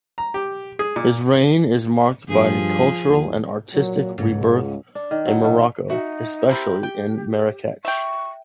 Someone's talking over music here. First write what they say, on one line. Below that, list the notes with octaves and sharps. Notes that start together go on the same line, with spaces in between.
His reign is marked by a cultural and artistic rebirth in Morocco, especially in Marrakech.
A#5
G4
G#4
A#2
G2 F3 G#4
D#2
A#2 F#3
C#2 G#2
D4
D#3
F#3
B2
D#4 F#4 E5
C4 E4 G4 A#4
G5
E5 G5 C#6